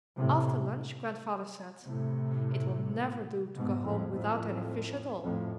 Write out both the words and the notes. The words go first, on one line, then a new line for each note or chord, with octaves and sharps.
After lunch Grandfather said, "It will never do to go home without any fish at all."
A2 C3
A2 C3
G#2 B2
F2 A2
F2 A2
F2 A2